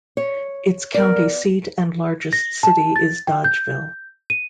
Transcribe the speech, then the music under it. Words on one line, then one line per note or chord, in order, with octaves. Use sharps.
Its county seat and largest city is Dodgeville.
C#5
B3 A#4 D5
A#6
A5
A6
G5
G6
D#7